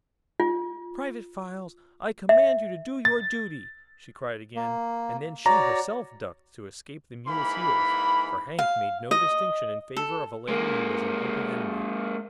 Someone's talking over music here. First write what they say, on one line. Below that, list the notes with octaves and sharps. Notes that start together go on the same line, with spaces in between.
"Private Files, I command you to do your duty!" she cried again, and then she herself ducked to escape the mule's heels--for Hank made no distinction in favor of a lady who was an open enemy.
F4
E5
A6
A#3
F#4 C#5 D5 A#5
G#2 E3 A#3 B5
F5
D#5
A4
G#3 A#3